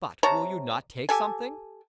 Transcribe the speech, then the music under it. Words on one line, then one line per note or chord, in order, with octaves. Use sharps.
But will you not take something?
C3 C#5 A5 A#5
G4 A4 G#5